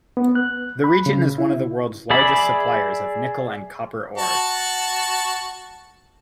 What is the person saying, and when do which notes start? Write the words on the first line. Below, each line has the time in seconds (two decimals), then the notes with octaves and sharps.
The region is one of the world's largest suppliers of nickel and copper ores.
0.17 B3
0.35 F#6
0.84 B5
1.06 C#3
1.38 E4
2.10 G#4 D5 E5 B5
4.18 F#4 A5